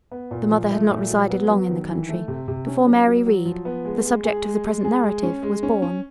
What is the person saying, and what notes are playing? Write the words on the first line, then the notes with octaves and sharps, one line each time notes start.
The mother had not resided long in the country before Mary Read, the subject of the present narrative, was born.
B3
A#2
F3
A3
A#2
F#3
B3
F#3
D#3
E3
A3
C3
C3
C#4
F#3
F#3
F#3
F3
B3
G#3
G#3
G#4
G#3
G#3
G#4
G#3
C#4
G#3
C#4
C#4